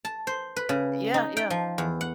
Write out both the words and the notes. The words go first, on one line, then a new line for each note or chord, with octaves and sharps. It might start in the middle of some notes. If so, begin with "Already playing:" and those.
Yeah, yeah.
A5
C5
B4
C#3
D#4
G5
F3
E2
F#5